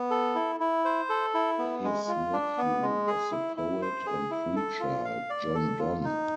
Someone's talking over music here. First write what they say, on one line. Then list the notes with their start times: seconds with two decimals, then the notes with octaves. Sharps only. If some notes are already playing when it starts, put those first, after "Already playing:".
His nephew was the poet and preacher John Donne.
Already playing: B3
0.10 A4
0.35 E4
0.60 E4
0.85 C5
1.10 A4
1.34 E4
1.59 B3
1.84 G#3
2.08 F4
2.33 D4
2.58 B3
2.82 G#3
3.07 G#4
3.32 E4
3.57 E4
3.82 C5
4.06 G#4
4.31 E4
4.56 A4
4.80 F4
5.05 F5
5.30 D5
5.54 A4
5.79 F4
6.04 D#4